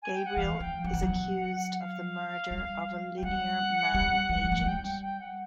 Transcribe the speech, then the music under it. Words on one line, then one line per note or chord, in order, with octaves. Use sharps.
Gabriel is accused of the murder of a Linear Man agent.
G#5
G5
F#5
E3 F5
F3 G5
F#3 F#5
F3
F#3
F5
G3
G5
G3 F#5
G3
F3
A#3
A3
G#3
G3 G5
G5
G5
F#5